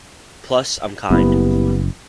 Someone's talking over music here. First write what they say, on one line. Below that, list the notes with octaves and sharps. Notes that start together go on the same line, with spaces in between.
Plus I'm kind.
F#1 G3 B3 E4